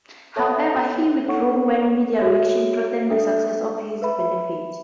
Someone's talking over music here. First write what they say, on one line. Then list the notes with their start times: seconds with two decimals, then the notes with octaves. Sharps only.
However, "he withdrew when media reaction threatened the success of his benefit".
0.36 A4 C#5 E5 A5
1.28 D4 A4 C#5 F#5 C#6
2.19 F#4 A4 C#5 E5
3.10 D4 A4 E5
4.02 B4 E5 B5